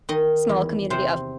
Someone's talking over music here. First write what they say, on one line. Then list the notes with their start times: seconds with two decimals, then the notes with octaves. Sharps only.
small community of
0.09 D#3 D#5
0.49 E2
0.90 C3 C5